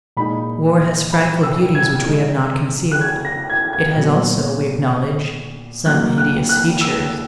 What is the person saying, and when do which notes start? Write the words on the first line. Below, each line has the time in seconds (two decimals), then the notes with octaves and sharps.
War has frightful beauties which we have not concealed; it has also, we acknowledge, some hideous features.
0.17 A#2 G#3 D#4 B5
1.12 B5
1.43 E6
1.75 G#6
2.06 D#3 G#3 D#4
2.91 F#6
3.01 G#6
3.25 A#6
3.50 G#6
3.73 G#6
3.96 A#2 F#3 B3
5.86 F#3 A#3 D#4 F#6
6.18 F#6
6.49 F#6
6.81 E6